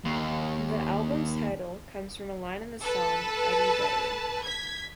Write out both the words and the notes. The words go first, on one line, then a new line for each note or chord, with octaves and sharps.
The album's title comes from a line in the song Eddie Vedder.
D#2
A4 B4 A5
G#6 B6